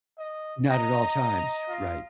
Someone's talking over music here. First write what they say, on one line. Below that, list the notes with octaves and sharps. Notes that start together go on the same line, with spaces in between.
Not at all times, right.
D#5
D#5 A#5
F4